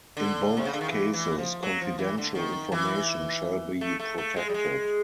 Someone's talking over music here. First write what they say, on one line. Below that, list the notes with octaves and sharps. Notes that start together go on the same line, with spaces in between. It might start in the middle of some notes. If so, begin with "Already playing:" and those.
In both cases confidential information shall be protected.
D3
C3
C#3
D3
D#3
E3
E3
F3
F#3
F3
E3
D3
D#3
E3
A3
A3
A3
G#3
G3
G#3